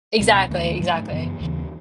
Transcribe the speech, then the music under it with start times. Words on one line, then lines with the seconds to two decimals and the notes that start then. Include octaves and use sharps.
Exactly, exactly,
0.19 C#2 B2 F#3 B3
0.50 D#2 D#3 A3
0.80 G#2 F#3 A3
1.10 F#2 C#3 E3 B3
1.40 D#2 C#3 E3